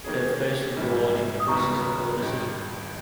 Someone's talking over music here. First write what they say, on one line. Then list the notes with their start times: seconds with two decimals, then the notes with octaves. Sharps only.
They have faced a barrage of criticism for their decision.
0.04 D#3 A#3 C#4 G#4
0.77 A#1 G#2 E3 G3
1.40 D#6
1.48 E1 D#2 C#3 G3 B3 A#5 C#6
2.20 G#1 G2 D#3